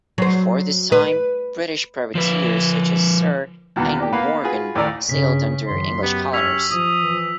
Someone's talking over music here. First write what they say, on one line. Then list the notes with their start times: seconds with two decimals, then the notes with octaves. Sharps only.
Before this time, British privateers such as Sir Henry Morgan sailed under English colours.
0.18 F#3 C5
0.92 B4
2.15 F3 B4
3.76 E2 B2 D#3 A#3 B3
4.00 D4 G4
4.13 A#3 B3 B4 F5
4.44 F4 F#4 G#4 B4
4.75 D#2 A2 D#3 A3 D5 A#5
5.09 G2 C#3 B6
5.67 F#2 D#3 C6
6.03 B3 G4
6.33 C#4 E6 B6 F7
6.71 F3 D#6
7.01 E3